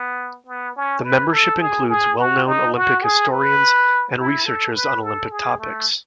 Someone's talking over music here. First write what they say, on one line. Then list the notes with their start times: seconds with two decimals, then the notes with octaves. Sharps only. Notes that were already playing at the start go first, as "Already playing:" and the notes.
The membership includes well-known Olympic historians and researchers on Olympic topics.
Already playing: B3
0.47 B3
0.76 C#4
1.04 B4
1.33 A4
1.61 G#4
1.89 G#4
2.19 F#4
2.46 D#4
2.76 F#4
3.03 G#4
3.32 B4
4.18 E4
4.46 A4
4.75 B4
5.03 A4
5.32 G#4
5.60 A3